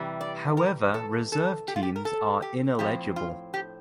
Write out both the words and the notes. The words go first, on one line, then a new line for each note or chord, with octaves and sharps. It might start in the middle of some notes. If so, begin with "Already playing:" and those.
However reserve teams are ineligible.
Already playing: C3 E3 G3
D5
A#4
A4
A4
G4
F4
G4
A#4
A4
G4
A2 F3 C4 G4
F4
G4